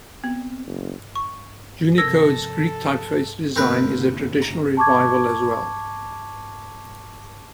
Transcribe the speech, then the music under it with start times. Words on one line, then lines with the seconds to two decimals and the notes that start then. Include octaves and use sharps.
Junicode's Greek typeface design is a traditional revival as well.
0.24 B3 C4
0.67 F#1
1.15 C#6
1.98 C3 F3 A4 A#4 E6 G#6 A#6
3.56 F#1 D3 A#3 C4 A#4 B4
4.42 A#5
4.77 A5 C#6 D6 G#6